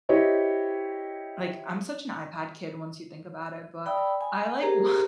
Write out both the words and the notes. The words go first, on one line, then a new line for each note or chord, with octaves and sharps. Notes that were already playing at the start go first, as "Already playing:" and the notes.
like, I'm such an iPad kid once you think about it, but I like wa
E4 G4 C5 C#5 D#5
D5 G5 B5 D#6 E6
G#5 B5
G4 G#4 A#4 C5 A#5